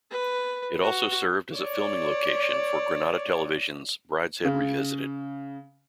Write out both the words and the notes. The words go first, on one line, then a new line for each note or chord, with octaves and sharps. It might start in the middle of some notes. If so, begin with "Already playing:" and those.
It also served as a filming location for Granada Television's "Brideshead Revisited".
B4
F#4
C#5 D5
C#3